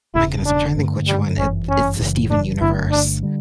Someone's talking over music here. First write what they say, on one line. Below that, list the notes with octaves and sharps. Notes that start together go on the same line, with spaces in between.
My goodness, I'm trying to think which one it It's the Steven Universe
E1 E2 C#3 E4
D4
G2 D3 A3
G3
G1 F#2 E3 C#4
C#4
F#1 F#2 C#3 E3
D4
G1 G2 D3 A3 E4
D4
D3 G3